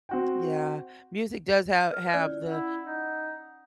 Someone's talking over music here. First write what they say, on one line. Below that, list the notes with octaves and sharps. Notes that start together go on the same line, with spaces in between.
Yeah. Music does ha have the
C4 F#4 G5
B4
C#4 E4 F4 D5
E4 F#5
D#4